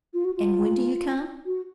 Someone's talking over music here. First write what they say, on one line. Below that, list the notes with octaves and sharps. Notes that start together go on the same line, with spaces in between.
"And when do you come?"
F4
F#4
F4
F#4